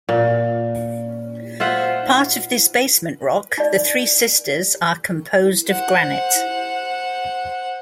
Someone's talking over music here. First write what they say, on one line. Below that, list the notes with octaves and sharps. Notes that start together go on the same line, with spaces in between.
Part of this basement rock, the Three Sisters are composed of granite.
A#2
F4 C5 E5 F#5
D#4 D5
C5 F#5